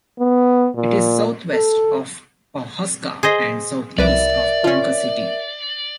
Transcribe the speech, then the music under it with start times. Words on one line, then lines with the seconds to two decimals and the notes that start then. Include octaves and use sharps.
It is southwest of Pawhuska and southeast of Ponca City.
0.19 B3
0.75 A#2
1.53 A4
3.23 G#4 C5 D#5
3.98 C2 A#4 B4 D5 E5
4.64 C#4 F4